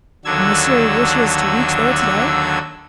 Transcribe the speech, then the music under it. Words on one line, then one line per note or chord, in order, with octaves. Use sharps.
"And Monsieur wishes to reach there to-day?"
D#2 D3 F#3 D4 E6 G#6